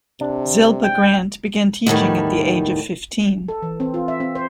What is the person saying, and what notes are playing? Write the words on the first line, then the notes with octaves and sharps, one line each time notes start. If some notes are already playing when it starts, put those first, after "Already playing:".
Zilpah Grant began teaching at the age of fifteen.
C3 D4
G5
E2 A2 D#3 G3
A4
E3
C4
F4
E5
C4
C5